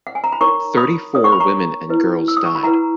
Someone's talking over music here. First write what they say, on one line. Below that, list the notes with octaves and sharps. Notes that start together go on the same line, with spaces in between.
Thirty-four women and girls died.
F#5
G#5
A#5
B5
D#4 A#4 C#5 A#5 C#6
B5 D#6
D#4 A#4 C#5 D#6
C#6
B5
A#5 C#6
E4 B4
E6
D#6
C#6
B5
E4 B4 F#5 A#5